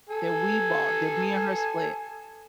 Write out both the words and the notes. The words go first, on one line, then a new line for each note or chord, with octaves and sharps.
that we bought, that me and her split.
A4 G#5